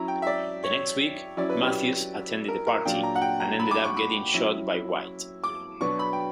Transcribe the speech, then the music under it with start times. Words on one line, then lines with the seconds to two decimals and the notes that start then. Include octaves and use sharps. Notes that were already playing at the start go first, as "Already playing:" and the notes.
The next week, Mathews attended the party, and ended up getting shot by White.
Already playing: F#3 C#4 E4 A#5
0.08 G5
0.22 E5
0.27 D5
0.64 C#5
1.37 F#3 C#4 E4 D5
1.50 B4
1.63 G4
2.48 A#4
2.67 A#4
2.85 A#2 F#3 A#3 D4 G5
3.03 A#5
3.15 F#5
3.22 G5
3.40 A#5
3.59 B5
3.71 D6
3.84 C#6
3.96 B5
4.33 F#3 C#4 E4
5.44 D6
5.81 B2 F#3 B3 D4 C#6
5.99 B5
6.13 G5